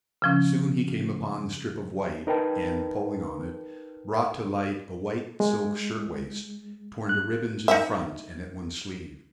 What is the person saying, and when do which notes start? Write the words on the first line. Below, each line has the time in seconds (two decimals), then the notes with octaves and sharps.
Soon he came upon the strip of white, and, pulling on it, brought to light a white silk shirtwaist, torn to ribbons in front and at one sleeve.
0.22 C#3 F3 C#4
2.27 D#4 A#4 B4 G5 A5
5.40 G#3
7.09 F#6
7.68 D#4 E4 E5